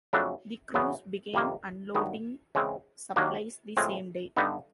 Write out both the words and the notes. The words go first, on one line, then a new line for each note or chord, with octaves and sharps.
The crews began unloading supplies the same day.
F2 C#3 F#3 A3 D4
E2 C#3 F#3 B3
F2 C3 D#3 G3 A#3
G2 D#3 F#3 B3 D#4
C#3 E3 G#3 C4
D#2 D#3 F#3 A#3 D4
A2 F3 G#3 C4
G2 D3 G3 B3 D#4